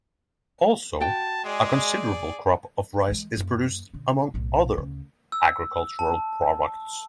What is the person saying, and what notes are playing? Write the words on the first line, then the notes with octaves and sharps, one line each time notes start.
Also a considerable crop of rice is produced among other agricultural products.
F#4 G5 A5
G#3 G#4 D5
E3 G#3
F#2 A#3
B2 D3
B1 A2
D2 C#3
E6
A5